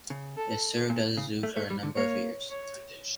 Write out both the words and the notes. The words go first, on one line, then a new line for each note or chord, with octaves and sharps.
It served as a zoo for a number of years.
C#3
A4
A#2
C#3
A3
A3
G3
D3
A#3 C#5
C#5